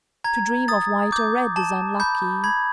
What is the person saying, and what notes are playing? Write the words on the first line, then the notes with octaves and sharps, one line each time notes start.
To dream of white or red is unlucky.
A#5 G#6
D#6 A6
D6 G6
A5
B5 G6
B5 G#6